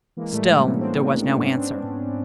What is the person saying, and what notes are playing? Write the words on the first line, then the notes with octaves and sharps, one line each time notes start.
Still there was no answer.
E3 G#3 A#3
A2 G3 A3
E3 G#3 A#3
A2 B3 C#4
A2 C4 D4
A2
A2 C4 D4
A2
G#2 B3 C#4
C4 D4